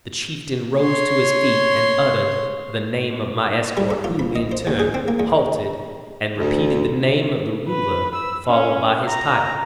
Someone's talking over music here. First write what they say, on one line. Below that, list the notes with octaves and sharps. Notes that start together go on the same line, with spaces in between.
The chieftain rose to his feet and uttered the name of my escort who, in turn, halted and repeated the name of the ruler followed by his title.
C#5 C6
G3
A4
F4
B5
D#5
C5
D#2
G#4
C4
A#3
E2
D2
B4
E6
C#4
A#5